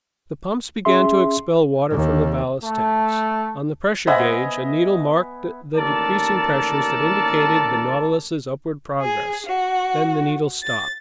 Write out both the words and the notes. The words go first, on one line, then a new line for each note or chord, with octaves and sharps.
The pumps began to expel water from the ballast tanks; on the pressure gauge, a needle marked the decreasing pressures that indicated the Nautilus's upward progress; then the needle stopped.
C#4 G#4 E5 C6
D#2
A3
B3 C5 D#5 E5 F#5 G#5
A1 D#2 A4 A#4 D5 A5
G#4
F#4
A6